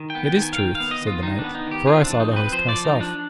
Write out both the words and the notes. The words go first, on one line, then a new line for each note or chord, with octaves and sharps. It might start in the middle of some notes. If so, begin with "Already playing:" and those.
It is truth, said the knight, for I saw the host myself.
Already playing: D#3
G5
B3
G5
D#3 G#5
F5
D#3 G5
F5
B3
D#5
D#3
F4
D#3 D#4
D4
B3
D#4
D#3 G4
C4 F4
D4
F3
D#4
C4 B4
F3 C5
D5
F3
D#4
F3
D4